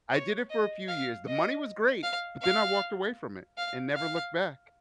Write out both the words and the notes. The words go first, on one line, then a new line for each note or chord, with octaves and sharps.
I did it for a few years the money was great, but then I walked away from it, and never looked back.
C#5
D#5
F5
D#5
F5
F5
F5
F5